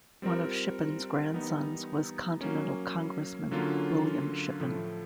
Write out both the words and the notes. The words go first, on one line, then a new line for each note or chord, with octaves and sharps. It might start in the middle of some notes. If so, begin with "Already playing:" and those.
One of Shippen's grandsons was Continental Congressman William Shippen.
G3 C4 F4 A#4
E3 G3 B3 D#4
F#3 A#3 C#4
D3 F#3 A#3 C#4 F4
A2 F3 A3